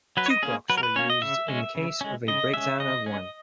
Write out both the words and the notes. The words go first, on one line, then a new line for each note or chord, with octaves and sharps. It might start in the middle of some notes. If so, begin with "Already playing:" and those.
Two clocks were used in case of a breakdown of one.
F#3 B4
C#5
D#5
A#3 C#4 G#4
F#3 B4
A#4
B4
A#3 C#4 C#5
D#5
C#3 E5
G#3 C#4
C#3
G#3 C#4
C#3 D#5
G#3 C#4 E5
C#3 D#5
G#3 C#4